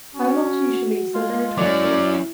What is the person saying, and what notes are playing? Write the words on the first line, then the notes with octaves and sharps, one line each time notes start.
I am not usually so very talkative.
C#4 F#4
G#3 F4
F#3 C#4 E4 D5